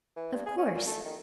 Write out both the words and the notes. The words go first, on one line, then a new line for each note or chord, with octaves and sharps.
"Of course!"
E3
G2
G#4
C#4
A#2
A3
D#3